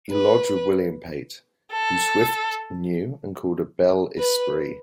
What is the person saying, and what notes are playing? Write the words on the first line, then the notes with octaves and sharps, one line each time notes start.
He lodged with William Pate, whom Swift knew and called a ""bel esprit"".
B4
A4
B4